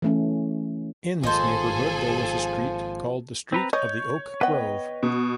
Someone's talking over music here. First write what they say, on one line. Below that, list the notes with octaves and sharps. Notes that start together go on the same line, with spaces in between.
In this neighborhood there was a street called the Street of the Oak Grove.
E3 A3 C#4
G#1 A#2 F3 G#4 A4 C5 D#5 G#5
C4 B4 A#5
C#5 D#5 G6
B3 B4 D#5 F#5 G5
B2